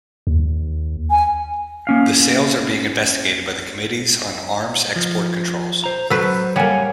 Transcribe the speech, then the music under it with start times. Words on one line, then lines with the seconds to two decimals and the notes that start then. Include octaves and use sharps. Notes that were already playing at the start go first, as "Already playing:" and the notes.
The sales are being investigated by the Committees on Arms Export Controls.
0.27 D#2
1.10 G#5
1.87 A#3 C#4 F5
4.96 F3
5.84 C5 A#5
6.10 F#3 A4 B4 C5
6.56 G3 A#3 C#5 F#5 G#5